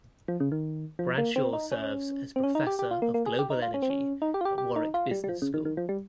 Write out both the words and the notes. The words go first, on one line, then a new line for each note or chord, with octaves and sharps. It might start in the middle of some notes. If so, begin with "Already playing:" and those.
Bradshaw serves as Professor of Global Energy at Warwick Business School.
F3
C#3
D#3
F3
A#3
C4
D#4
C#4
C4
C#4
D#4
G4
G4
F4
A#3
A#3
G#4
G4
D#4
F4
C#4
C4
C#4
D#4
G4
F4
G4
G4
D#4
F4
G3
G3
F3
C#3
D#3
D#3
F3
G3